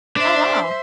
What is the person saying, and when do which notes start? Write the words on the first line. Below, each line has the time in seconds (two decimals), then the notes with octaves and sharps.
Oh, wow.
0.17 D4 C5 D5 E5